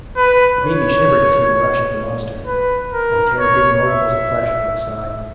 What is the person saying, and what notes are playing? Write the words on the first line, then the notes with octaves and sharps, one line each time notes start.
It made me shiver to see them rush at the monster, and tear big mouthfuls of flesh from its side.
B4
C#5
B4
A#4
C#5
E5